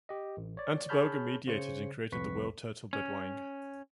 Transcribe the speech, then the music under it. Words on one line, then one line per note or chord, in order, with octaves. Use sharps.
Antaboga meditated and created the world turtle Bedwang.
G4 D#5
A1
C#5 D5
G#4 C#5 A5 B5 F6 G6
C#3 C5 C#5 C#7
C2 F2 B4 C#6 B6
C#4